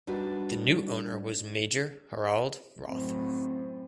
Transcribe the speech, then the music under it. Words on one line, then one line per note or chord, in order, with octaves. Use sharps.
The new owner was major Harald Rothe.
G3 D4 D#4 F#4 B4
F#2 A2 C4